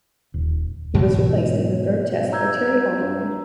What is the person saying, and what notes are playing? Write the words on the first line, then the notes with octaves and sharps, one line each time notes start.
He was replaced in the third test by Terry Alderman.
D#1
G#2 B2 E3 G#3
A#5 E6 G6 G#6